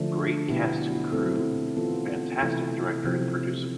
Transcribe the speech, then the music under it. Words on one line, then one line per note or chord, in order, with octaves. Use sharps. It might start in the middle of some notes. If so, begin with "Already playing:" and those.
Great cast and crew, fantastic director and producer.
Already playing: D3 F3 A3 D4
B2 B3 E4 G4
A3 C4 E4 A4
E3 B3 F4 A4
C3 E3 A3 E4 A4
C3 F3 C4 G4